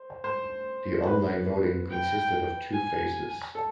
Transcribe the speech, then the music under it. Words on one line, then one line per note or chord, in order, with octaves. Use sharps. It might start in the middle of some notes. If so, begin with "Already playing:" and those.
The online voting consisted of two phases.
Already playing: C5
C5
B4
G5
G#5
A4